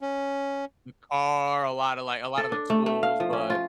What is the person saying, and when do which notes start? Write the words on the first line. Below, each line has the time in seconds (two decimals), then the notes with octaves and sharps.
the car, a lotta like a lotta the tools, but,
0.01 C#4
2.38 A4
2.52 D4
2.70 A3
2.86 A3
3.03 F5
3.20 F3
3.33 C#4
3.50 F4